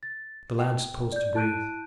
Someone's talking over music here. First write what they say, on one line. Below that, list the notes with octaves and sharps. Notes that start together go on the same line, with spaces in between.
The lads paused to breathe.
A6
G5
D5 G6
E4 A5 F#6 G6 D7 D#7